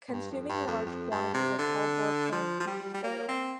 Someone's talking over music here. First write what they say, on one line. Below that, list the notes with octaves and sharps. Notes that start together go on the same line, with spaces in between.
Consuming large quantities of hellebore plants can be fatal.
A#2
G2
F2
G2
F2
F2
G2
C3
D3
F3
F3
G3
G3
A#3
C4